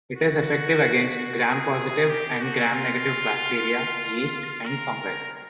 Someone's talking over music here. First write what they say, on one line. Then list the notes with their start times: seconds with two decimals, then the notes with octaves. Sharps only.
It is effective against gram-positive and gram-negative bacteria, yeast, and fungi.
0.17 F#4
1.45 G#4
2.09 G4
2.41 F#4
2.74 F4
4.66 A#4